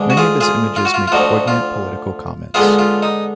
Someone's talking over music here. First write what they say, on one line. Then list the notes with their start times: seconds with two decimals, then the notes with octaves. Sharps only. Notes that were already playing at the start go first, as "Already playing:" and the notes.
Many of his images make poignant political comments.
Already playing: D2 D3 G#3 D4
0.10 F#4
0.17 F4 G#4
0.40 F4 G#4
0.76 F4
0.85 F#4
0.94 F4
1.08 F4
1.12 D2 D3 F3 D#4 F#4
1.48 F4
2.54 D3 G#3 B3 D#4 F4 G#4
2.79 F4
3.03 D#4